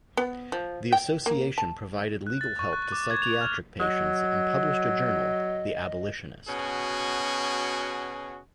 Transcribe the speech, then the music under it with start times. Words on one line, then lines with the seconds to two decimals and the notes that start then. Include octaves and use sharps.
The association provided legal help to psychiatric patients and published a journal, "The Abolitionist".
0.17 B3
0.52 F3
0.92 G5
1.26 A#3
1.58 A5
2.27 F#6
2.41 A6
2.59 C#6
2.73 F#6
2.92 D6
3.10 G#6
3.22 F7
3.41 F6
3.80 F#3 D#5
6.48 B2 C#4 F#4 G#4